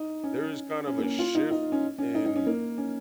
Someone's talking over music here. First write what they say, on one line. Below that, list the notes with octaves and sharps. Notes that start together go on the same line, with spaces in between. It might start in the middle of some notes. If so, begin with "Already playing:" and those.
there is kind of a shift in
Already playing: D#4
C#4
C#4
A#3
C#4
F4
D#4
D#4
C#4
C#4
D#4
D#4
C#4
A#3
C#4